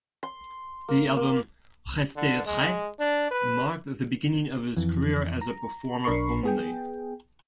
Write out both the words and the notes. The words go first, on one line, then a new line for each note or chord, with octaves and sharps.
The album "Rester vrai" marked the beginning of his career as a performer only.
C6
A#3
A#3
D3
G#3
D4
B4
F2 E3
A#5
B1 D4 A#4 B5 C#6 C7
B3 G#4 G5